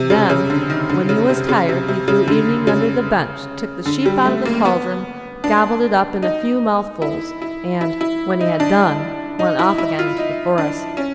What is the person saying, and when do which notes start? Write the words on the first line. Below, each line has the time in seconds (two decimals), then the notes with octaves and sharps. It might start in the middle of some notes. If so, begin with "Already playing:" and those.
Then, when he was tired, he threw Evening under the bench, took the sheep out of the cauldron, gobbled it up in a few mouthfuls, and, when he had done, went off again into the forest.
Already playing: C3
0.10 C#3
0.30 C#3
0.50 D3
0.70 D#3
0.89 D3
1.09 C#3
1.29 C3
1.49 C#3
1.69 C3
1.88 C3
2.08 C#3
2.28 D3
2.67 C#3
3.86 D3
4.06 G3
4.25 A3
4.45 A#3
4.65 B3
5.44 D4
6.23 D#4
7.02 E4
7.42 E4
7.81 E4
8.01 E4
8.41 D#4
8.60 D4
9.39 D#4
9.59 E4
9.78 E4
9.99 F4
10.18 D#4
10.58 D4
10.97 C#4